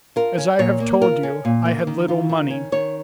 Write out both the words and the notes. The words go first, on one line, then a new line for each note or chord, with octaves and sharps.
As I have told you, I had little money.
F4 A#4
C#4
A#2 C#5
A#3
F4 A#4
C#4
A#2
A#3
D#3
F4
D#3
C#4
D#3 C#5